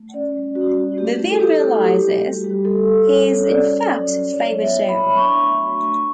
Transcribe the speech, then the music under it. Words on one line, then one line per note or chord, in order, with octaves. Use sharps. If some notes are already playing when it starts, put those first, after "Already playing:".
Vivian realizes he is in fact Faber John.
Already playing: A3
C#4 D5
G3
G3 F#4
F#4
A3 G4
E4
A4
A3 G4
A3
F#4 G4
G3
G3
G3
G3 A4
G3
C#4 C#5
C#4
F#4 D5
C#4
F#3
F#3
E4 C#5
B3
E5
B3
B5
B3
D4 C#6
A3
F#4
A3